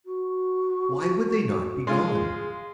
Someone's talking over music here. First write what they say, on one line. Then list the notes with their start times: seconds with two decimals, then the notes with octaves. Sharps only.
Why would they not be gone?
0.05 F#4
1.87 G#3 F4 G#4